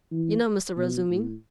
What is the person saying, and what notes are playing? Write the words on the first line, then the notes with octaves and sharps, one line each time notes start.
You know Mr. Razumihin?
E3
B2
A2